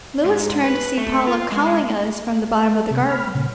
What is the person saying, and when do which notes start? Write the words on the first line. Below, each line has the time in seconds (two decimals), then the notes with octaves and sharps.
Louis turned to see Paula calling us from the bottom of the garden.
0.25 G#2
0.64 B4
0.98 A3
1.27 F4
1.52 G#3
2.69 A4
2.91 C3
3.09 B5 F6
3.35 A#2 C#3